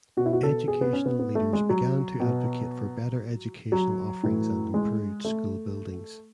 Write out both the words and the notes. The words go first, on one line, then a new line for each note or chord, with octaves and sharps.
Educational leaders began to advocate for better educational offerings and improved school buildings.
B2 F#4
E4
F#4
A4
G#4
B3
C#4
B3
B3
A3
G#3
F#3
B2
F#3
A2 E3
G#3
A3